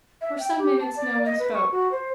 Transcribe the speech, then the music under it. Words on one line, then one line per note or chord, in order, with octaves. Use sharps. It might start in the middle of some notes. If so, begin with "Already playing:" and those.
For some minutes no one spoke.
E5
G5
G4
A5
D5
D#5
B4
C#6
F#4
C5